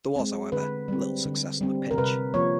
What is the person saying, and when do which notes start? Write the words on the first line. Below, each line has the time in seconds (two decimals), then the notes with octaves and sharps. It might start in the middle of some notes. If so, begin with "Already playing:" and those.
There was, however, little success on the pitch.
0.16 G#3 C4
0.52 D3 B4
0.88 G3 C4
1.25 D3
1.61 G3 C4
1.91 A#4
1.98 C3 B4
2.34 F3 A#3 C#5